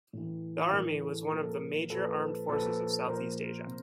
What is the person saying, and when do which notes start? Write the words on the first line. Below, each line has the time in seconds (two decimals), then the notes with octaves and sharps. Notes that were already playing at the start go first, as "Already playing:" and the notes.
The army was one of the major armed forces of Southeast Asia.
0.13 A2 E3
0.72 A2 E3 A#4
1.02 A4
1.32 A#2 F3 A#4
1.41 A4
1.50 A#4
1.90 A#2 F3 A4 B4
2.49 A#2 F3 A4 B4
3.07 A#2 F3 A#4 C5
3.67 C3